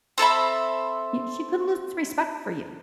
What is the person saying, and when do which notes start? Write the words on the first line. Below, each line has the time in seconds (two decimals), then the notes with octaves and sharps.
she could lose respect for you.
0.18 C4 A4 E5 B5